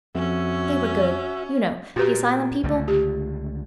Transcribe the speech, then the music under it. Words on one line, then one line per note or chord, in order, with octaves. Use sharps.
They were good, you know--the asylum people.
F2 C#4 F#4 E5
A#2 F#4 G4 B4
C#2 D3 A3
G4